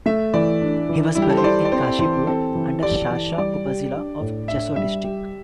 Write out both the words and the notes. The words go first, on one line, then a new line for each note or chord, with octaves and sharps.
He was buried in Kashipur under Sharsha upazila of Jessore district.
A3 E5
E3 D5
D4
E3
G3 E4
G4
A4
C5
E4 D5
D5
C4 C5
E3 C5
C4 A4
E3
G4 D5
E3
G3 D5
G4
D4
A2
D4 E5
G3 E5
G4